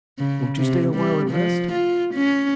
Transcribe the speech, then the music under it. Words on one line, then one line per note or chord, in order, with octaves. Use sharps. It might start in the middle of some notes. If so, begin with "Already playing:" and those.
"Won't you stay awhile and rest?"
C#3
C3
G3
F3
F4
C#4